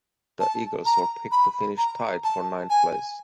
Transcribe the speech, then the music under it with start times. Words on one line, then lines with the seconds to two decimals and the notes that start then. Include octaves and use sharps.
The Eagles were picked to finish tied for ninth place.
0.40 A5
0.86 A#5
1.32 B5
1.78 A#5
2.24 A5
2.70 G#5